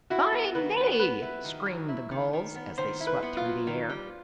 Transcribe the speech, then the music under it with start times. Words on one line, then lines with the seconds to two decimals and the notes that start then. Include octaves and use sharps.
"Fine day!" screamed the Gulls, as they swept through the air.
0.10 E4 F#4
0.32 B3
0.55 D#3 B4
0.78 B3
0.99 B3 B4
1.22 E4
1.44 D#3
1.66 F#3
1.88 E4
2.11 D#3
2.33 D#3
2.55 B3
2.78 D#3 C5
3.00 E4
3.07 B4
3.22 B3
3.37 F4
3.45 F#3
3.67 D#3
3.90 G3